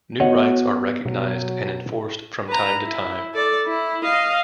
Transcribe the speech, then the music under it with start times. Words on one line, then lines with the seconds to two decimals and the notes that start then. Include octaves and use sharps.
New rights are recognized and enforced from time to time.
0.20 B3 F#4 C#5 D#5 F#5
1.05 B2 F#3
2.48 B4 A#5
2.83 E4
3.34 A4 D5
3.67 E4
4.04 D#5 F5